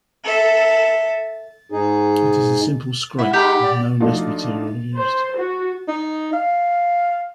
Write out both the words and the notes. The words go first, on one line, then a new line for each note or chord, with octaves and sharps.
It is a simple scrape with no nest material used.
A4 E5
G#2 D#4 G#4
E4 E5 F#5
G#3 D#4 G4 B5 F6 G6
D5
F3 A3 D4 D#4 F4 F#4
C5
F#4
D#4
F5